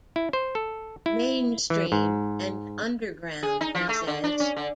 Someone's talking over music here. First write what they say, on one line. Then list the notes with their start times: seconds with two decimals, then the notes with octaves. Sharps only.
Mainstream and Underground, he says.
0.16 E4
0.33 C5
0.55 A4
1.06 E4
1.70 E3
1.92 G#2
3.43 G#4
3.61 D#4
3.75 F3
3.89 A3
4.07 D3
4.24 D4
4.40 C#4
4.56 D3